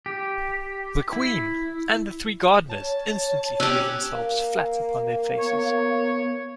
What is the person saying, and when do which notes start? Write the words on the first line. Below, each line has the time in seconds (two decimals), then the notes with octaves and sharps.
The Queen!’ and the three gardeners instantly threw themselves flat upon their faces.
0.06 G4
1.13 E4
2.70 C#5 A5
3.60 C#4 G4 E6 F#6
4.12 A#3
5.39 B3 C#5